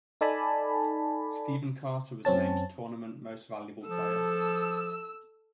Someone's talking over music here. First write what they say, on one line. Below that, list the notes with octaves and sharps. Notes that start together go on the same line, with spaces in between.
Steven Carter was named Tournament Most Valuable Player.
D#4 A4 D5 G#5 A5 B5
F#2 C4 C#4 A5
F3 A4 E6